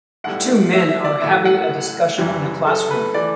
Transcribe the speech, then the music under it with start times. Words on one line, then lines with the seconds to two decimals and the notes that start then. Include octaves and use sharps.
Two men are having a discussion in a classroom.
0.24 B1 A2 G3 F#5
0.73 E5
0.89 E5
1.04 D5
1.21 A1 A2 F#3 E5
1.45 F#5
2.18 F#1 F#2 E3 G3
2.67 A4
2.91 B4
3.14 E3 A3 D5